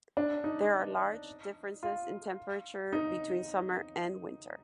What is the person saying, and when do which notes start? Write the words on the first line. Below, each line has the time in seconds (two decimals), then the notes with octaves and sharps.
There are large differences in temperature between summer and winter.
0.17 D4
0.44 D#4
1.83 F4
2.93 D#4